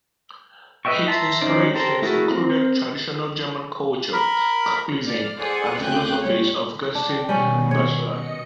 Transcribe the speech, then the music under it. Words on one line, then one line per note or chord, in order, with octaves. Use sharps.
His inspirations included traditional German culture, Catholicism and the philosophies of Gaston Bachelard.
B4 D#5 E5 G5 C#6
E5 A5 A#5 C6
D#3 C#4 D#4 C5 D5
G4 A4 A#4 C5 A#5
A3 E4 F#4 G#4 A#4
C4 A#4
A#4 B5
D5 F6
G#4 A4 C5 D5 F#5 G#5
D2 C#3 C4 G5 G#5 F#6
G3 C#5
D4 G5
B2 D#3 G3 B3 C#4
C#5
B2 D#5 C#7